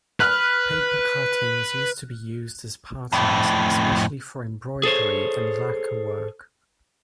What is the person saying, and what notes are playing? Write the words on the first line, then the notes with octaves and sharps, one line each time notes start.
Papercuttings used to be used as patterns, especially for embroidery and lacquer work.
B4 F6 F#6
F2 A2
G#4 A4 C5 C#5